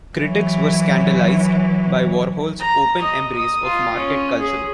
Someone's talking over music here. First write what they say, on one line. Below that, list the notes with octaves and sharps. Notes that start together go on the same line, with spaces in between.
Critics were scandalized by Warhol's open embrace of market culture.
E3 F#3
A#5
D#5
D#6
F4
C#4
G#4